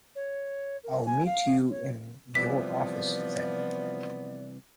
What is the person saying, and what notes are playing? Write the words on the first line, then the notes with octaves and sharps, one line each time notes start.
I'll meet you in your office then.
C#5
A#4
G#5
F5
C#5
C3 E3 F3 G3 B3 D5 B6